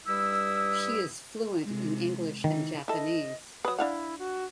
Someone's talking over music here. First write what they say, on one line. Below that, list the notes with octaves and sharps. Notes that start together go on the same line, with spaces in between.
She is fluent is English and Japanese.
G2 G3 E4 D#6 E6
C3 G#3
D#3 E3 D#4
E4 A4 D#5
F#3 B4 D#6
D4 E4 F5 F#5
F#4